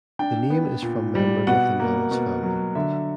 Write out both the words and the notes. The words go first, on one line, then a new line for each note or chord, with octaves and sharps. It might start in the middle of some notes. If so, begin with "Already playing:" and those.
The name is from members of the Nellis family.
D4 G5
B3
A#2
G3
B2 F#5
A#3
B2
F#3
D3 E5